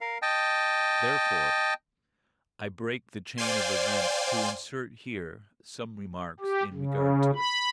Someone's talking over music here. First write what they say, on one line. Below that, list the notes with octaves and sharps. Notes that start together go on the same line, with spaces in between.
Therefore I break the chain of events to insert here some remarks in regard to it.
A#4 F5
D#5 G5 A5
C5 D5 F5 G5 G#5 C6
G4
C#3
B5